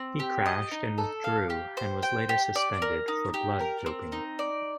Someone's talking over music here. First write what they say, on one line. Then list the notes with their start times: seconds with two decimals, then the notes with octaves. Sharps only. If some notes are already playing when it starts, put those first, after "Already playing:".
He crashed and withdrew and was later suspended for blood doping.
Already playing: C4
0.20 G4
0.46 D#5
0.71 D#4
0.98 A4
1.24 F5
1.50 G4
1.77 C5
2.03 G5
2.29 G4
2.55 D5
2.82 A#4
3.08 D#4
3.34 G4
3.60 A#4
3.86 C4
4.12 D#4
4.39 D5